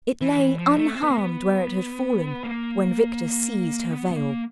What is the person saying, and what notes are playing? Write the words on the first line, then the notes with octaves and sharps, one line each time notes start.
It lay unharmed where it had fallen when Victor seized her veil.
E3
E3
F3
A3
C4
B3
A#3
B3
A#3
B3
B3
A#3